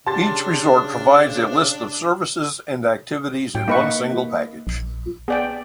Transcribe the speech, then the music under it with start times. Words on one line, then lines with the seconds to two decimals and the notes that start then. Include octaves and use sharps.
Each resort provides a list of services and activities in one single package.
0.06 C#3 D4 G4 A5 C6 A6
3.55 A2 G5
3.68 A#3 D#4 B4 C#6
4.67 A#1
5.28 B3 G#4 D5 G5